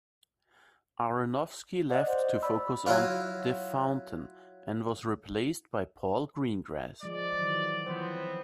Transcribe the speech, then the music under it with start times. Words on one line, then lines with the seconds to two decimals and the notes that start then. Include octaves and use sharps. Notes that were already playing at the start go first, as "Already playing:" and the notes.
Aronofsky left to focus on "The Fountain" and was replaced by Paul Greengrass.
1.90 D5 D#5 F#5
2.07 C5
2.43 D5 B5 E6
2.86 F#3 E4 F4
7.03 F3 G#3 D5
7.39 D#3 E3 F#3
7.86 E3 F3 B3 C4 C5